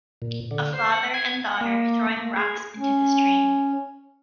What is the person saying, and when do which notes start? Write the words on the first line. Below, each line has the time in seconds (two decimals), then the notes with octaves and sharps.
A father and daughter throwing rocks into the stream.
0.22 A#2
0.51 D3
0.73 C5
0.92 F#5
1.14 G#6
1.46 F#5
1.61 A#3
2.17 A#3
2.36 G#4
2.78 C#4